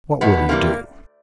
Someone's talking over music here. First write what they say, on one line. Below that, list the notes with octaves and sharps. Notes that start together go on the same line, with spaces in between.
"What will you do?"
E2 B2 G#3 B3
C3 E3 G3 A#3